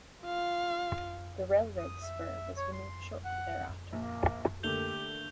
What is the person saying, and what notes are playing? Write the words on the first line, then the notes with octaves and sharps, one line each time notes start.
The railroad spur was removed shortly thereafter.
F4 F5
D#6
E5
C#5
C6
F#5
A#1 A#3
D3 A3 A#3 G4 G6 F7 G7